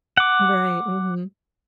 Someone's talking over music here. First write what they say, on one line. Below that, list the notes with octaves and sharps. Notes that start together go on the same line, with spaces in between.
Right, mhm.
F#5 D6